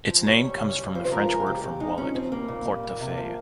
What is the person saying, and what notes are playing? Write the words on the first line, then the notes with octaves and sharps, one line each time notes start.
Its name comes from the French word for wallet: "portefeuille".
F3
G3 C#5
G3
C#3
G3
F3 C5
C5
F3 A#4
G#3 A#4
F4
C#3 G4
A#2 G4
G#3 D#4
F3 C#4
F3 C4
G3 A#3
A#2
G3
A#2
C3
F3